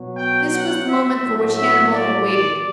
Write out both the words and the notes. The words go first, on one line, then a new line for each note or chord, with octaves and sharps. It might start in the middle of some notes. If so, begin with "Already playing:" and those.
This was the moment for which Hannibal had waited.
Already playing: B2 F#3
G5
F#5
E5
A2 F#3
E5
D5
D5